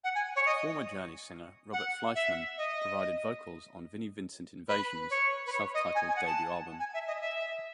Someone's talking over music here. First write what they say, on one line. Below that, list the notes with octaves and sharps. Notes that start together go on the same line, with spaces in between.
Former Journey singer Robert Fleischman provided vocals on Vinnie Vincent Invasion's self-titled debut album.
F#5
G#5
C#5
D#5
F#5
E5
D#5
B4
C#5
B4
C#5
D#5
G#5
G#5
F#5
A5
G#5
E5
D#5
E5